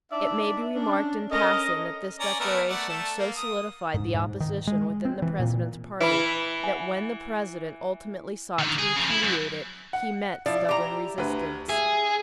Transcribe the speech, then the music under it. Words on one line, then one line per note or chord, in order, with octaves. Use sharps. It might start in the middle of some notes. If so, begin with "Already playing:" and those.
It may be remarked in passing that this declaration so solidified the opposition within the President's party that when the President ultimately sought to repudiate it, he met stubborn resistance.
D4 D#4 D5 E5
C#4 D4
C#4 A4 A#4 D#5
C#4 D5 A#5
A3 B3 A#4
A3 D5 F#5
A3 A5
A#3
D#6
G#2
G#2
D#3
G#3
C4
E3
A#2
E3 E4 B4 B5
F#5 G#5
D3 D#3
G#4
C#3 F3
E4
F#2
F#5
F3 E4 D5
G4 A#5
D2 B4
G#4 E5